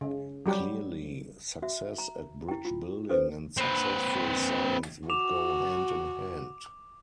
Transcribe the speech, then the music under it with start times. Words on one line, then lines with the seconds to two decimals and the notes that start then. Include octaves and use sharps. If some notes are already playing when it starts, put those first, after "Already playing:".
Clearly, success at bridge building and successful science would go hand in hand.
0.01 C#3
0.46 F#3 G3 G4
1.62 F#4 E5
1.98 A#5
2.48 E4 G5
2.65 F4
3.09 C#4 A4 B4 C5
3.57 C4 B4
5.10 F#4 D6 E7 F7